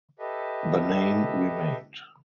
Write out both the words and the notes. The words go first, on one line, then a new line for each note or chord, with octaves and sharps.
The name remained.
G4 A4 B4 D#5 E5